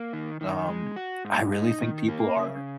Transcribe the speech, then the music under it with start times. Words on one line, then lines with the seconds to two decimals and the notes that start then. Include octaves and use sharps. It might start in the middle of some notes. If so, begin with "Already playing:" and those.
Um, I really think people are
Already playing: A#3
0.13 D#3
0.41 D#3
0.69 G#3
0.96 F#4
1.25 G#2
1.52 D#4
1.80 D#3
2.08 A#3
2.36 C#3